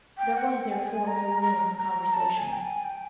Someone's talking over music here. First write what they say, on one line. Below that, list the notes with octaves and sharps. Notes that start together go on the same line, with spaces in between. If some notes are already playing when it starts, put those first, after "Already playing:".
There was therefore no room for conversation.
G5
F#5
G5
G#5
A#5
A#5
A#5
A5
G#5
G5
G#5
G5